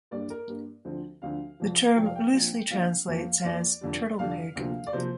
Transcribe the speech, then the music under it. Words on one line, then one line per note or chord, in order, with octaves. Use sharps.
The term loosely translates as "turtle-pig".
G2 G3 A#3 D5
A#4
G2 G3 A#3
D2 D3 F3 C4
D2 D3 F3 C4 F5
F1 F2 F3
F1 F2 F3 G5
F5
G5
A#1 A#2 F3 C4
A#1 A#2 F3 C4 F5
F2 F3 A#3
F5
F2 F3 A#3 D5
F1 F2 D3 G3
F1 F2 D3 G3 F5
D2 C3 F3 A#3
D5
C3 F3 A#3 C5